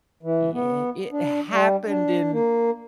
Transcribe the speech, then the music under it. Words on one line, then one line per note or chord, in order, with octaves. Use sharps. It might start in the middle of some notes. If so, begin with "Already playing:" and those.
yeah, it happened in
E3
B3
D4
G3
D4
A#3